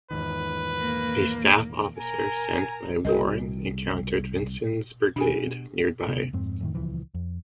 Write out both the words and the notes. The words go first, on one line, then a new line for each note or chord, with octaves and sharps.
A staff officer sent by Warren encountered Vincent's brigade nearby.
E2 G#2 D#3 B4
A#3
A#4 G#5 A#5
C2 F#4 A#4 D#5
B2 D4 G4 G#5
D2 C3 B3
F2 G#2 C4
F2 A2 D#3
D#1 C#2 E3 F3
F2